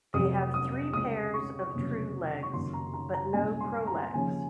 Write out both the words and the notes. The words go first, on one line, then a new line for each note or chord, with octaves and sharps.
They have three pairs of true legs, but no prolegs.
F1 F2 C3 F#3 D#6
D#6
C#2 C#3 G#3 D#6
C#6
F1 D#2 C#3 F#3
C#6
F#1 F#2 D#3 A#3 C6
A#5
A#5
A#5
C2 A#2 G#3 C#4 G#5
C6
A#5
D#2 C#3 F3 G#5